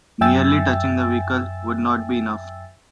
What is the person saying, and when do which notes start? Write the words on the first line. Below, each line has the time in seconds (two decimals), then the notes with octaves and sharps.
Merely touching the vehicle would not be enough.
0.21 F#2 E5 G5 G#5 E6 A6